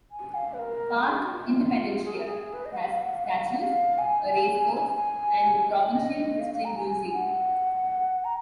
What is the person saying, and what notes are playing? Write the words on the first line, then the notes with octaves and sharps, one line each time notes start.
Parque Independencia has statues, a racecourse, and the Provincial History Museum.
G#5
F5
B4
A#4
A#4
G#4
F#4
F4
F4
G#4
A#4
G#4
B4
D#5
F#5
F5
F5
F#5
F5
F#5
F5
F#5
F5
G#5
G#5
G#5
D#5
F5
F5
A#5
G#5
G#5
F#5
A#5